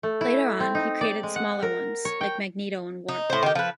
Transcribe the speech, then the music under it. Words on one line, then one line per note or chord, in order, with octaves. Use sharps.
Later on, he created smaller ones -like Magneto and Warp.
A3
E4
C4
D#4
D5
G#3
F#5
A#4
C#5
G5
D#4
A2 C5
D#3 G4
F3 B4